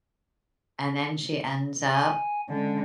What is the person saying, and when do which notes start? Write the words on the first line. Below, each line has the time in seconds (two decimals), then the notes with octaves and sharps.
and then she ends up
1.93 G#5
2.50 D3 G#3 C#4 D4